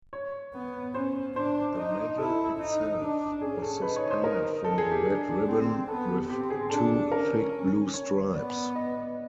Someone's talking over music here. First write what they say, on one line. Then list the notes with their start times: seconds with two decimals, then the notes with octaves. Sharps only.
The medal itself was suspended from a red ribbon with two thick blue stripes.
0.13 C#5
0.54 B3
0.94 C#4 C5
1.36 D4 C5
1.77 D#4
2.18 E4 A4
2.59 D#4
3.00 D4
3.41 C#4 G#4
3.62 A4
3.82 D#4 B4
3.96 C#5
4.10 C5
4.24 A#4
4.64 A4
4.78 G#4
4.91 G4
5.05 D4 G#4
5.47 C4
5.88 B3 A4
6.08 G4
6.29 C4 G4
6.50 G#4
6.70 D4 A4
7.12 C#4 A#4
7.94 C#5
8.34 B3 D5
8.75 D#5